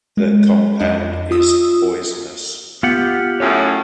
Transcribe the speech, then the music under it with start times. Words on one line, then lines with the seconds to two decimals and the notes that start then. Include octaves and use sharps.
The compound is poisonous.
0.17 G#3
0.80 F2 D4 D#5
1.31 F4 D#6 E6
2.83 B3 F4 G4 F#5
3.40 F#2 A2 C#5